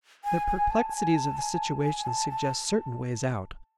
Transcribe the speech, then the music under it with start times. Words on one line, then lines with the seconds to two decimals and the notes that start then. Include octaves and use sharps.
The perplexities of the situation suggest certain ways out.
0.25 G#5
0.47 G#5
0.71 A5
0.93 G#5
1.15 A5
1.39 G#5
1.84 G#5
2.03 G#5
2.07 A5
2.30 A5